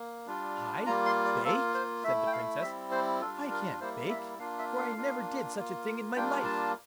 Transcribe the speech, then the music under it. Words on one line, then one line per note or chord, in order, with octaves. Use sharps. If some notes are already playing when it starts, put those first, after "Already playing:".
'I bake!' said the Princess; 'I can't bake, for I never did such a thing in my life.'
Already playing: A#3
G3 D4 F4
G3 A#3 F4 A#5
C6
D5
A#3 F4 A4
C5
A3 E4 E5
G5
F5
G3 C4 E4 E5
C5
G3 D4 F4 A4
A#4
G3 A#3 E4 C5
E5
A#3 D4 F4 F5
E5
F5
A#3 D4 F4
A#3 F4
G3 A#3 D4 F4 G5
A5